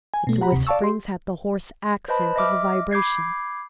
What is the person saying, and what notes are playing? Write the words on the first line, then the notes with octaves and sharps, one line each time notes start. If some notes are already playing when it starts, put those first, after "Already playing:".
Its whisperings had the hoarse accent of a vibration.
G#5
B2 A3
G4 F#5 A#5 B5
D2 C3
D5 F5 A5 C#6 E6
G4 C6
B4 C5 D#5 A5 B5
D#5 E5 D6 F6
B5 D6 G6 G#6 C7